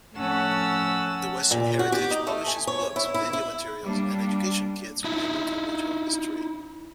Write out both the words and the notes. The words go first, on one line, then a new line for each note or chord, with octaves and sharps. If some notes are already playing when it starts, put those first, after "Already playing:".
The Western Heritage publishes books, video materials, and education kits relating to regional history.
A2 F3 C#4 F#5 A5 E6
A#2
F#4
G4
D#4
A3
G#5
C#5
E4
E4
E4
G3 A#3 D4
D#4 E4